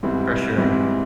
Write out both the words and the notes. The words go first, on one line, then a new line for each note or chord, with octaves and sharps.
For sure.
G#2 E3 G3 C4
G#2 E3 G3 C4